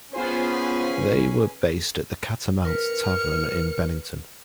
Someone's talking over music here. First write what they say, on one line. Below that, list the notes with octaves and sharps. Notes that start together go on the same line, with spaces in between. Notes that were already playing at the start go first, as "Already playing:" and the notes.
They were based at the Catamount Tavern in Bennington.
B3 C#4 F4 G#4 B4 C5
A#4 B4 F6 C#7